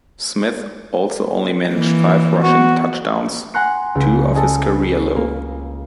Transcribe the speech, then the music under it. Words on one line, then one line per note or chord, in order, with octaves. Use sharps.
Smith also only managed five rushing touchdowns, two off his career low.
E3 A#3
B3 F#4
F#5 G#5 A#5 C6 F#6 C#7
C#2
A4 D#5 G#5
A#3